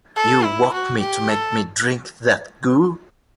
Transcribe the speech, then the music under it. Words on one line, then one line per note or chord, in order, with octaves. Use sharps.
You woke me to make me drink that goo.
A4
E4
F#4
G4
A4